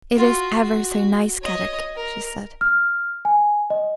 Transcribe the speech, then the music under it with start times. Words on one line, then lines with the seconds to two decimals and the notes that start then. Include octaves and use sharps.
"It is ever so nice, Kadok," she said.
0.16 F4 F#4
0.61 F#4
1.41 C#5 D#5
1.96 A#4
2.61 F6
3.25 G#5
3.70 D#5